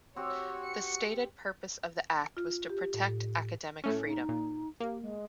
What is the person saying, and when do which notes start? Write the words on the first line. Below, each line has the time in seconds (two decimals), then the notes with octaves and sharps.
The stated purpose of the Act was to protect academic freedom.
0.16 C4 F#4 G4 C#5
0.67 C#7
2.37 F4
2.69 G4
2.94 A2
3.84 A2 A3 C#4
4.05 D#4
4.29 A#2
4.80 A#3 G4
5.01 G#3